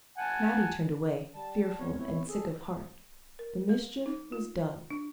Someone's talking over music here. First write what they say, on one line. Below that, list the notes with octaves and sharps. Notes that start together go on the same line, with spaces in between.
Mattie turned away, fearful and sick of heart; the mischief was done.
F#5 G#5 A5
G3 A5
B3 C4 C#5
E4 C#5
G#4 A4
A#4
G3
D#4
F4
D4